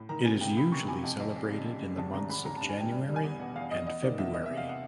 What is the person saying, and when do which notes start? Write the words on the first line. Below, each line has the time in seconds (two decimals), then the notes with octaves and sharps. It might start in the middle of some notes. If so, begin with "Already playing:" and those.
It is usually celebrated in the months of January and February.
Already playing: A2
0.09 D#3 A#5
0.25 C3 G#5
0.41 C#2 G5
0.57 C#2 B5
0.72 C3 C#6
0.88 C3 G#5
1.04 F2
1.20 F2
1.36 F1
1.51 C#3
1.67 F1
1.82 F1
1.98 G#1 A5
2.14 G#1 A#5
2.30 G#1 B5
2.45 G#1 A#5
2.57 G2 A5
2.69 G#5
2.77 G2 G5
2.92 G3
3.08 G3
3.16 G#5
3.24 E2
3.40 B2 F#5
3.55 E2 F5
3.71 E2 D#5
3.87 E2 D#5
4.02 D#3 D5
4.18 E2 E5
4.34 E2 D#5
4.46 C3 E5
4.57 F5
4.69 F#5